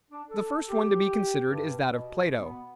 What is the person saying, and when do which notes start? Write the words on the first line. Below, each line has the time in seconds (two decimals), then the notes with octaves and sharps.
The first one to be considered is that of Plato.
0.11 D4
0.30 A4
0.69 G4
1.44 G2
1.85 B2
2.39 B3